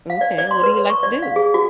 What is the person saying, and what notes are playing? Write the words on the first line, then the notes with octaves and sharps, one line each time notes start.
M'kay, what do you like to do?
F5
D5
D5
C6
B4
C#5
C#6
D5
F5
G#4
F#4